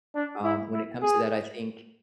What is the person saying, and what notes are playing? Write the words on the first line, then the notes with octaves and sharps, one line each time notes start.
um, when it comes to that, I think
D4
E4
E4
G#4